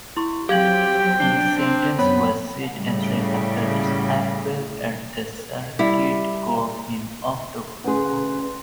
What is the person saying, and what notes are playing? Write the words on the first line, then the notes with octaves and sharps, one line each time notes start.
This sentence was set aside after an appeal at the circuit court in October.
E4 C6 C#6
F#3 C4 G4 F5 G5 G#6 F#7
D4 C7 G7
C4
F#2 B3 C#5 B5
A2 C#3 G3
G3 E4
D2 C#4 G#4 B4 F#5 C6